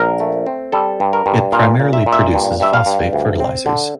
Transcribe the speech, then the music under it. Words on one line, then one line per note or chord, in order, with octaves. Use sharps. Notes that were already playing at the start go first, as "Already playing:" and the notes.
It primarily produces phosphate fertilizers.
Already playing: A#1 A#4
A3
C4
G3 A4
G2
A#4
G2
A#2 F5
A#2
E5
A#2
E5
G2
G2 E5
F5
G2
D2
C4
D3